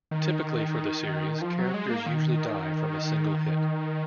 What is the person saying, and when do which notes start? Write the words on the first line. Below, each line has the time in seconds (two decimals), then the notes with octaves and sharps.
Typically for the series, characters usually die from a single hit.
0.11 D#3
1.41 F3
1.58 F#3
1.74 G#3
1.90 A#3
2.06 D#3